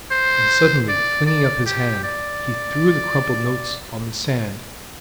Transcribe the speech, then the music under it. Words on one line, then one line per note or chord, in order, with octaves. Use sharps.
And suddenly flinging up his hand, he threw the crumpled notes on the sand.
C5
D5
D5
G4
D5